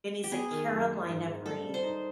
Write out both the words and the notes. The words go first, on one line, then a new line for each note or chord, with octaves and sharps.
and he's a Carolina breed.
G4
B3 G#4
D#3
F#2
G#3
G#2
G#2
G3 A4
G3
C5
D#4